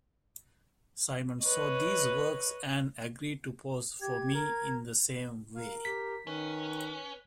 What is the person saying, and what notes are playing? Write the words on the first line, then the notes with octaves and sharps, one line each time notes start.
Simon saw these works and agreed to pose for me in the same way.
B4 C#5 D#5
G4 G#6
A#4
A#4 F5
G4 B6
D#3 C#4 B4